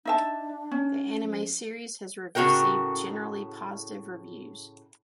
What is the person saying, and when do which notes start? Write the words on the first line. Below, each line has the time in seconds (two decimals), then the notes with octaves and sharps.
The anime series has received generally positive reviews.
0.05 D4 D#4 E5 A5
0.71 C#4
1.22 F3
2.35 A2 C#3 F#4 A#4 G5